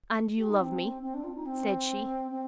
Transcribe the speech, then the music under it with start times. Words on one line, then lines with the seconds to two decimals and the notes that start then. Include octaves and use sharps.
"And you love me?" said she.
0.37 G4
0.48 D#4
0.59 C4
1.02 C4
1.13 D4
1.23 F4
1.34 D#4
1.45 C4
2.31 C4